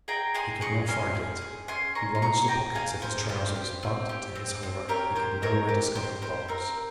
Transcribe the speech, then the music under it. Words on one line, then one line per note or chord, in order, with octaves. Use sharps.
He could not find it; he rummaged the pockets of his trousers, but, to his horror, he could nowhere discover the box.
G#4 G5 A#5
G#4 G#5 C6
G#4 A#5 C#6
C#4 G#5 C6
G#4
G#4
C#4 G#5 C6
C#4 A#5 C#6
C6
G#4 A#5 C#6
G#4 G5 A#5
G#4 F5 G#5
C#4 C5
G4 C5
G4
C4
G4
C4
C4
G4 A#4 C#5
G4 C5
C4 A#4 C#5
G4
G4 C5
G4 C5
C4 A#4